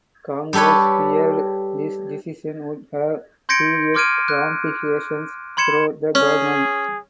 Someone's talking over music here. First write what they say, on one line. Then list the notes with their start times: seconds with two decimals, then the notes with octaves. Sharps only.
Congress feared this decision would have serious ramifications throughout the government.
0.53 G3 G4 A4 B4 C#5
3.49 C6 G6 G#6 A#6 C#7 D7
3.95 C6 D6 F6 G#6 D7 D#7
4.28 F#6
5.57 B5 C6 G#6 C#7 E7
6.15 C#4 G#4